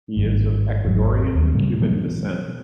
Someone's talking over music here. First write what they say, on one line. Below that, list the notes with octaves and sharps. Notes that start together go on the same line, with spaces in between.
He is of Ecuadorian and Cuban descent.
G#1 G2
G#1 E2 F#3
D#2
A2 C#3 G3
B2 E3 F#3 B3